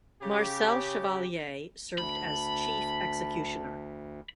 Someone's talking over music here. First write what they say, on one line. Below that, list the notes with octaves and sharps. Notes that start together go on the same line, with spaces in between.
Marcel Chevalier served as chief executioner.
C#3 G4
D2 A5 B5